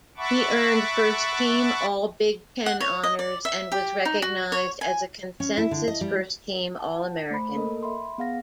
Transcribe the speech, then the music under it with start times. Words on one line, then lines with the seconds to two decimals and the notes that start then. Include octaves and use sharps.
He earned first-team All-Big Ten honors and was recognized as a consensus first-team All-American.
0.17 E5 F#5 A5 B5 C#6 D6
2.66 F#5
2.80 C#5
3.03 D#5
3.19 D5
3.45 E5
3.72 G4
4.05 D#4
4.22 F#4
4.52 C#5
4.81 G#5
5.40 C#4
5.57 E4
5.71 D3
5.88 D#5
6.01 G3
6.75 F#5 A5
7.31 A3 C5 B5
7.55 A#3 A4 A#4 D#5
7.83 E5 B5 C6
8.18 B3 G#4 F5 F#5 A#6